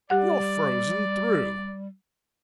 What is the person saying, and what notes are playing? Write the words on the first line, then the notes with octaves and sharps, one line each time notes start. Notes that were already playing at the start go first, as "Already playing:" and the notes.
You're frozen through!
G3 G4 D5 F#5